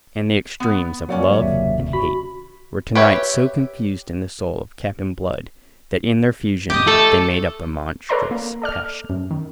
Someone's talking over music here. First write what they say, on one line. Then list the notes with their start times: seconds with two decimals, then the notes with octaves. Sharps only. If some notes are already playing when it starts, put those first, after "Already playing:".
And the extremes of love and hate were to-night so confused in the soul of Captain Blood that in their fusion they made up a monstrous passion.
0.60 B3
1.09 F#3 A#3 C#4 D5 F#5
1.41 F#1 D#2 C3 E5
1.93 F#4 B5
2.95 G4 B4 C#5 E5
6.70 G4 D#5
6.87 A3 A4
8.09 A4 B4 C#5 D5 A#5 C6
8.31 A#3
8.62 A4 D5 F6
9.10 F#2
9.31 D#3